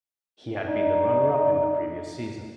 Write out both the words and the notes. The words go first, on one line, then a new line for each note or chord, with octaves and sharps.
He had been the runner-up in the previous season.
D4 D#4